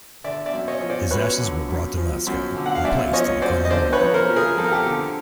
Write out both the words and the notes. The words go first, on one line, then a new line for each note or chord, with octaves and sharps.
His ashes were brought to Moscow and placed in the Kremlin wall.
D3 D5 E5
D5 E5
F#2
C#5 D#5
F3
C5 D5
F#2 B4 C#5
D3
F#2
F3
F#2
D3
F#5
F5
F#2 D5 E5
F3 C#5 D#5
F#2 C5 D5
D#5
D3 C5 D5
B4 C#5
F2
A#4 C5
F3
G#4 A#4
F2 A4
A#4
G4 A4
D3